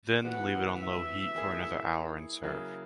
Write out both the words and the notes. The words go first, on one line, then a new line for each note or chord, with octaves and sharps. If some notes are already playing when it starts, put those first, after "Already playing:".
Then leave it on low heat for another hour and serve.
E3 B3 F#4 F#5
E5
E3 A#3 E4 G#4
C#3 F#3 A#3 E4 G#4